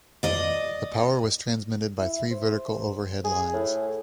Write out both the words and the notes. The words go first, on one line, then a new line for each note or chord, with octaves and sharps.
The power was transmitted by three vertical overhead lines.
D5 D#5
E4
C5
G#4
A2